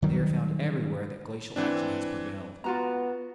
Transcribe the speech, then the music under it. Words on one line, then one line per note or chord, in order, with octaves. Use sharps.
They are found everywhere that glacial action has prevailed.
D#3 F#3 G3
E3 C4 D4
B3 F4 F#4 A#5